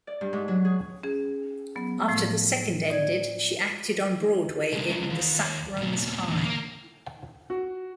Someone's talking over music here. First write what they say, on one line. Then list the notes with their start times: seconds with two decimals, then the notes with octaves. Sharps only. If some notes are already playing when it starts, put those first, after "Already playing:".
After the second ended, she acted on Broadway in "The Sap Runs High".
0.07 D5
0.21 G2
0.33 G#2
0.48 F#3
0.65 G#4
1.03 C#4 G#4
1.76 F#3 B3
2.08 A2 F3 A3
2.90 D5 G#6
4.73 C2 C#3
5.10 D#2
5.76 G#2 B2
6.28 E2 A#2
6.45 A#3
7.50 F#4